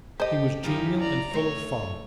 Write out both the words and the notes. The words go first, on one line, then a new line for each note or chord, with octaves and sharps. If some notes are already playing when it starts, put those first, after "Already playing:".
He was genial and full of fun.
G4 A4 C5 D#5
F#2 C#3 D#4 E4 G4
D5 A#5
A3 C#5